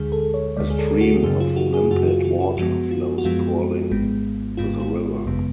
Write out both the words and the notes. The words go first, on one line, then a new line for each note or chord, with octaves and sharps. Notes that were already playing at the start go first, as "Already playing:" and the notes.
A stream of limpid water flows purling to the river.
Already playing: D2 D3 G#3 G#4
A4
C#5
D2 D3 G#3 D5
G#4
A4
F#4
F#2 C#3 F#3 G#4
F4
F#4
G#4
F#2 C#3 F#3 F#4
F4
F#4
F4
F#2 F3 G#3 B3 F#4
F4
F#4
F#2 F3 G#3 B3 F4
G#1 G#2 G#3 B3
G#1 G#2 G#3 B3 F4
F4
G#1 F#2 C#3 G#3 B3